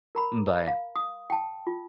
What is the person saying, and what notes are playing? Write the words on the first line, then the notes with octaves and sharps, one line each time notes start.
Mm bye.
A#4 A#5 B5
F5
D#6
G5 A5
F4